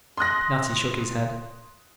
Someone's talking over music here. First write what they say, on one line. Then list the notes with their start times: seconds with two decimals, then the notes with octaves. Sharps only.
Natty shook his head.
0.17 C6 D#6 F#6 A#6